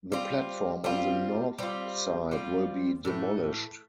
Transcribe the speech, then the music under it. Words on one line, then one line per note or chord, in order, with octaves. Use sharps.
The platform on the north side will be demolished.
G3 C4 F4
G3 C4 F4
G3 C4 F4
G3 C4 F4
A2 E3 A3